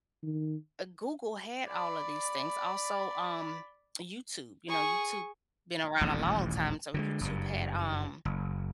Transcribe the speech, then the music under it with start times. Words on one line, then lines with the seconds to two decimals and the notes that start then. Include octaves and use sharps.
uh, Google had all of these things. Also, um, YouTube, you know, YouTube been around a long time, so YouTube had, um,
0.23 D#3
1.68 D5 B5
4.68 G#4 C#6
6.01 D#1 A1 F2 G#2
6.94 D3 E3 G#3
7.21 F#1 G2
8.25 F#1